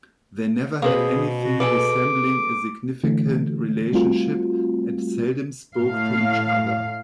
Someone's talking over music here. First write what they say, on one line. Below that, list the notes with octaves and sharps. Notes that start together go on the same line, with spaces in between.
They never had anything resembling a significant relationship and seldom spoke to each other.
B2 A#3 C4 G#4 B4
F#4
G#4 A4 B4 D6
D3 E3 A3
G3 A3 C4 F4 F#4
A2 F5